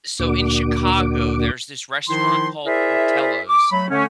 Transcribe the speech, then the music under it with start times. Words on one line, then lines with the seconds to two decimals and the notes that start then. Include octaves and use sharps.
So, in Chicago, there's this restaurant called Portillo's.
0.19 D2 A#2 A#3 D4 F#4 D6
2.09 D#3 F3 D#4 E4 C6
2.66 E4 G#4 A#4 C5 D5 E5
3.47 D6
3.71 F#3 A3 B5
3.90 D3 A3 C#4